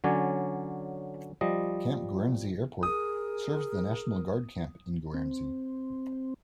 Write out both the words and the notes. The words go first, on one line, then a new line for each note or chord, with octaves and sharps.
Camp Guernsey Airport serves the National Guard camp in Guernsey.
D3 F#3 C#4 D5 G#5
F3 G3 D#5
G#4 A#4 D#6
C4